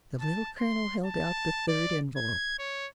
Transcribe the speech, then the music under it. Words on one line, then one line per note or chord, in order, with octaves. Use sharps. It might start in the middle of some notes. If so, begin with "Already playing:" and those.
The Little Colonel held out the third envelope.
A5
C6
A5
D5
G#6
C#5